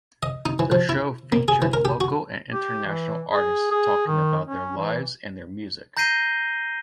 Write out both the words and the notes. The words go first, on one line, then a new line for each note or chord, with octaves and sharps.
The show featured local and international artists talking about their lives and their music.
D#5
D#4
E3
F3
E4
A#3
G#4
E3
A#4
G4
F#4
G4
E3
G#4
G#4
D#3
C#4
E3
A#5 G6 A#6 C7 D#7 G7